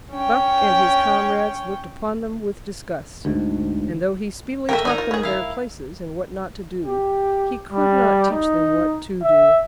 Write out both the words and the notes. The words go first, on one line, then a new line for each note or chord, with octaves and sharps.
Buck and his comrades looked upon them with disgust, and though he speedily taught them their places and what not to do, he could not teach them what to do.
C#4 G5
D2 G#2
A3 A#4 D#5 E5 G5
D#4 D5 G#5 A#5
F4
C#4 G#4
E4 F5
G4
G3
D#4
E5